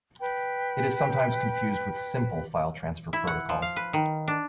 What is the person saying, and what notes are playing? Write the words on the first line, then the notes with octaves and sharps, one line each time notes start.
It is sometimes confused with Simple File Transfer Protocol.
B4 G5
E4
F#5
F3
F5
B4
D#3
D4